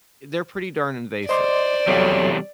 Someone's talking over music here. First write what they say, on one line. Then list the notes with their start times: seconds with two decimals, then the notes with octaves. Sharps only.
they're pretty darn invasive. Um,
1.29 C5 D5 D#5 C6 D6
1.87 E2 C3 F#3 G3 A4 C#5